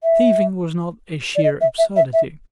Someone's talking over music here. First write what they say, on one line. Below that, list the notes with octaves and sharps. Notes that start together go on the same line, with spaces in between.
Thieving was not a sheer absurdity.
E5
D5
D#5
E5
E5
E5
E5